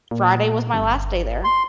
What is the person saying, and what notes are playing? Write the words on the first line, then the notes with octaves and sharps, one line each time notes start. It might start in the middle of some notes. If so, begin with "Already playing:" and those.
Friday was my last day there
A#2
G1
C6